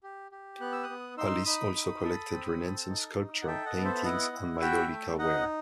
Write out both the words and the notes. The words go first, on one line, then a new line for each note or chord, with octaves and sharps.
Alice also collected Renaissance sculpture, paintings and maiolica ware.
G4
G4
B3 F#6
E6
D#6 F#6
B3
D#4 C6 E6
D#4 B5 D#6
D#4
A4
C4
A4
D#4
D#4
F#5
A4 E5 G5
D#5 F#5
B3
C5 E5
E5
E4 D#5 F#5
E4
F#4 E5 G5
A3
D#4 D#5 F#5